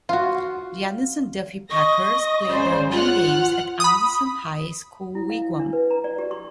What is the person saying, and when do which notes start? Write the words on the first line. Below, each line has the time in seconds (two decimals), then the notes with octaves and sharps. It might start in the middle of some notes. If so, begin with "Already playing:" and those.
The Anderson Duffey Packers played their home games at Anderson High School Wigwam.
0.09 F4 F#4
1.70 D#5 C#6 A#6
2.48 G#1 C#3 C5 D5
2.92 F4 F#5 F6 F#6
3.80 B5 D#6
5.15 E4
5.30 F5
5.42 E4
5.60 D4
5.73 B4
5.91 A#5
6.04 D5
6.19 G4
6.31 C#6